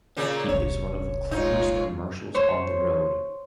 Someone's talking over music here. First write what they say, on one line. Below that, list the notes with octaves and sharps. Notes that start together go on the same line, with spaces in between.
He is one of the cleverest commercials on the road.
A#2 C#3 A#3
E1 C2 C#5
G#3 D#4 F4 C#5
C5 C#5